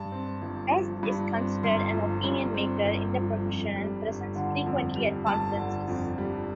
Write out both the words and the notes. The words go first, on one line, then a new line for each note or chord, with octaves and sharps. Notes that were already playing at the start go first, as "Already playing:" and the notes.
West is considered an "opinion maker" in the profession and presents frequently at conferences.
Already playing: G2 A5
C4
G1
F3
G2
C4
G1 C6
F3
G2
C4
G1
F3
F2
G3
G1
D3
F2
G3
G1 A5
D3
F2
G3